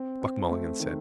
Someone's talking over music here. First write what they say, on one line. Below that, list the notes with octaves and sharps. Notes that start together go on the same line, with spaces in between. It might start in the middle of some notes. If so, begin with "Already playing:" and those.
Buck Mulligan said.
Already playing: C4
C4
A3
D#3